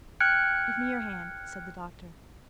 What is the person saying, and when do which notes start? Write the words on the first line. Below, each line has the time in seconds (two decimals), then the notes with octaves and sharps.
"Give me your hand," said the doctor.
0.20 G5 F6 F#6 G#6 C#7 D7